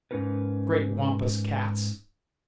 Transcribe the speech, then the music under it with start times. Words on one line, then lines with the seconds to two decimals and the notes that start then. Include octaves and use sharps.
Great Wampus Cats!
0.11 G#2 C#4 D#4 A#4 B4